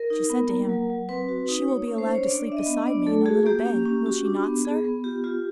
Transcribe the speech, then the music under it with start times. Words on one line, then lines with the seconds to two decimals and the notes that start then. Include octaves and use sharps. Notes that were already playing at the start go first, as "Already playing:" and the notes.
She said to him, "She will be allowed to sleep beside me in a little bed, will she not, sir?"
Already playing: A#4
0.10 D#4
0.30 B3
0.50 A#3
0.69 F#3
0.90 F#3
1.09 C4 B4
1.29 F#4
1.49 D#4
1.68 A#3 C#5
1.88 C#4
1.98 C5
2.08 C#4
2.15 C#5
2.27 D4 D5
2.47 D4 E5
2.57 D#5
2.66 B3
2.87 D4 D5
3.06 A3 A4
3.26 F#4 G#4
3.46 A#3 G4
3.66 C#4
3.85 C#4
4.06 F#4
4.25 D4
4.45 B3
4.64 B3 G#4
4.84 B3
5.04 F4 G4
5.24 F4 G4